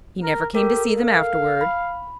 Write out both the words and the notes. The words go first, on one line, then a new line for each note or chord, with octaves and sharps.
He never came to see them afterward.
A#4
G4 A4 A#4
F5
B5